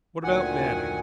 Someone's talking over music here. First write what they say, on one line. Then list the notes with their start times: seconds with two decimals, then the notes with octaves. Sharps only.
"What about Manning?"
0.24 D2 A#2 D#3 F#5 G#5